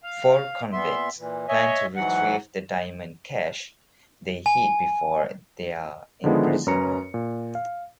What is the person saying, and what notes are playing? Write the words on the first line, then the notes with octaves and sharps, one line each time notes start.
Four convicts plan to retrieve the diamond cache they hid before their imprisonment.
F5
A#2 B3 E5 C6
A#2 E3
C#5 D#5 E5 G#5
G#2 E3 F#3 F#5
G#5
D3 D#3 F3 G#3 B3 E4
F#2 C#4 B4 A#5 C#7
A#2
F5